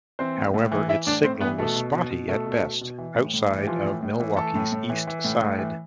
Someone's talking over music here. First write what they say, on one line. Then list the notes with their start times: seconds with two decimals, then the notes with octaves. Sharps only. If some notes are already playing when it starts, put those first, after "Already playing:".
However, its signal was spotty at best outside of Milwaukee's East Side.
0.19 E3 C4 C5
0.37 A2
0.54 A2
0.72 E3
0.89 E3 E4 E5
1.07 A2 D4 D5
1.23 A2 C4 C5
1.41 E3 B3 B4
1.58 B2 A3 A4
1.76 B2
1.93 B2
2.11 B2
2.28 B2 A3 A4
2.46 B2
2.63 B2
2.81 B2
2.98 E3
3.15 A2
3.34 A2
3.50 E3
3.61 G4
3.67 E3 F3 F4
3.85 A2
4.03 A2
4.20 E3
4.37 E3 A3 A4
4.55 A2
4.72 A2
4.89 E3
5.07 E3
5.24 A2
5.41 A2
5.59 E3